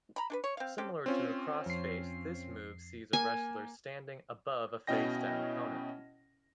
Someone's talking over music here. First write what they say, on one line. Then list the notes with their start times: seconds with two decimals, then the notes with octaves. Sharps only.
Similar to a crossface this move sees a wrestler standing above a facedown opponent.
0.16 A#5 B5
0.30 D4 A4 B4
0.44 C#5
0.57 C4 F5
0.78 C4 C#4 G4 A4
1.06 C4 C#4 F4
1.66 F2 C7
3.13 A#3 G#5
4.87 B2 C#4 E4 D#5 G5 A#6